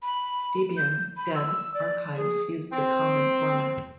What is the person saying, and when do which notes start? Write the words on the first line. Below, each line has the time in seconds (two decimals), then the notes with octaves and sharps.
Debian ".deb" archives use the common format.
0.02 B5
0.77 G6
1.17 B5
1.35 E6
1.74 D5
2.15 G#4
2.72 C4